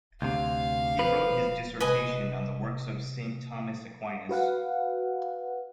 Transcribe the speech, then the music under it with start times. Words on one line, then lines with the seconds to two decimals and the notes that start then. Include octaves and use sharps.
He wrote his dissertation on the works of Saint Thomas Aquinas.
0.22 D2 C3 F5
0.99 F3 B4
1.81 C3 G#3 B4 D#5 G#5
4.29 F#4 B4 F5 F#5